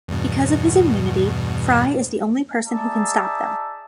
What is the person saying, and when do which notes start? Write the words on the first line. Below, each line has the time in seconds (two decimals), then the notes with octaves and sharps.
Because of his immunity, Fry is the only person who can stop them.
0.08 E2 G2 B2
2.65 D#4 G#4 D5 E5 A5